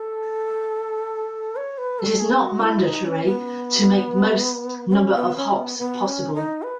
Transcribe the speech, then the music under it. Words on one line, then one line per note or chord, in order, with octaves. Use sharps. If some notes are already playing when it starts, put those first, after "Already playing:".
It is not mandatory to make the most number of hops possible.
Already playing: A4
C#5
B4
A4
G#4
F#4
E4
D#4
C#4
B3
B3
C#4
B3
C#4
B3
B3
C#4
D#4
B4